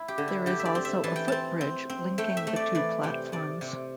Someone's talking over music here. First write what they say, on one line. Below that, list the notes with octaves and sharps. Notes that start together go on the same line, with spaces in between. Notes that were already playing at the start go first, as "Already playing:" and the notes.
There is also a footbridge linking the two platforms.
Already playing: E4
G4
D3
E4
D3 G4
E5
D5
C4
E5
E3 A5
G5
C4 A5
C4
C4
A3 G5
E5
A3
D5
E3 D5
C3 G5
C3 D5
C3